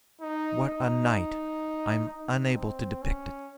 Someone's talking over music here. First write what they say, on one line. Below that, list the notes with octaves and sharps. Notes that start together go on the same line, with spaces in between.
What a night! I'm unable to depict it.
D#4
D#4
D#4
C4
C#4